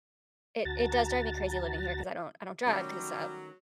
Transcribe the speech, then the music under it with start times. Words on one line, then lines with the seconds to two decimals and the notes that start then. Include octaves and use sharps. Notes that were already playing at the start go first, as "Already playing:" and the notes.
it it does drive me crazy living here 'cause I don't I don't drive 'cause, uh,
0.65 D2 F#4 A5 A#5 A6
2.66 D#3 F#3 G3 A3 C#4